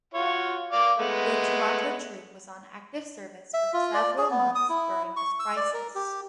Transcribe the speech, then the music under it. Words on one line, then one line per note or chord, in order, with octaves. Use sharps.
The Toronto troop was on active service for several months during this crisis.
F4 F#4 C#5
D5 F5 D6
G#3 A3 B3
E5
F4
D5
G#4
B3
D#6
E4
C#6
E6
D5
A#4
G4